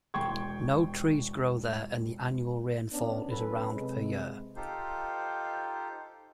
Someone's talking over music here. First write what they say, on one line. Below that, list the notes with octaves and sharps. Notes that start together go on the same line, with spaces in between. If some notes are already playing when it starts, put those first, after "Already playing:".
No trees grow there and the annual rainfall is around per year.
E1 G5 C6 C#6 G#6
B3 C#4 D4
B1 B3 C#4 A4 B4
C3 G#3
D#4 F4 G4 A4 C5